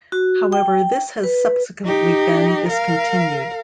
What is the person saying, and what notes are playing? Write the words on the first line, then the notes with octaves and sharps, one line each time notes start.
However this has subsequently been discontinued.
F#4
G5
B4
D#4 G4
A#4 F5